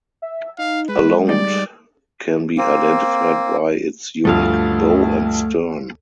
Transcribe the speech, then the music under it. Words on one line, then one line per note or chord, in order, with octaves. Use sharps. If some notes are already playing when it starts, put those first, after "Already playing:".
A londe can be identified by its unique bow and stern.
E5
D#4 F5
G#3 B4
G3 D#4 D5 D#5
A#3 C4
D2 G2 F3 A3 F5